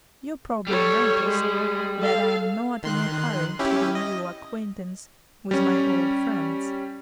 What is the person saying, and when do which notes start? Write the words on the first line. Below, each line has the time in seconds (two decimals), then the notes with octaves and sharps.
You probably notice that I am not in a hurry to renew acquaintance with my old friends.
0.67 G3 A4 C#5
1.24 G#3 G#4
1.98 A4 F5
2.83 D#3 C6 F#6
3.59 C#4 E4 G4
3.95 D#5
5.51 G3 C#4